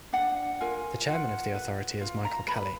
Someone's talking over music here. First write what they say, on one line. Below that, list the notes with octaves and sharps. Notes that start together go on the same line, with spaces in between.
The Chairman of the Authority is Michael Kelly.
D4 F#5
F4 A#4 G#5
F4 F#5
B4
F4
A#5
B4 B5